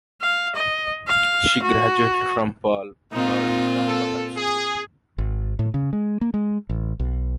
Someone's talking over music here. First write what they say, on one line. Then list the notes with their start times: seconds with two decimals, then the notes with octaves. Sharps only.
She graduated from Paul Laurence Dunbar High School.
0.21 F5
0.55 D#5
1.07 F5
1.62 F#4
3.12 A#2 C4 D#4 F4
3.88 A4
4.37 G#4
5.18 G#1
5.59 A2
5.74 C#3
5.93 G#3
6.21 A#3
6.34 G#3
6.69 A1
7.00 B1